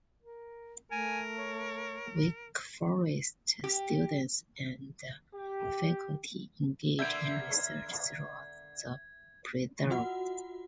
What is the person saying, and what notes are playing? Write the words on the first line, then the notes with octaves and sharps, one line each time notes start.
Wake Forest students and faculty engage in research throughout the preserve.
A#4
A3 A#4 G#5
C#5
G4
G4
D3 A#3 B3 E5 G6 G#6 D7
F4 F#4 F#5